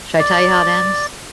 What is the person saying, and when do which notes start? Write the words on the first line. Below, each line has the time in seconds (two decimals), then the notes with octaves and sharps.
should I tell you how it ends?
0.19 D5